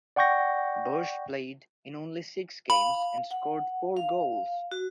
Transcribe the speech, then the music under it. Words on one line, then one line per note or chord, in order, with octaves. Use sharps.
Bertsch played in only six games and scored four goals.
D5 F#5 G5 C#6 G6 A#6
F5 B5
F#5
F5
F#4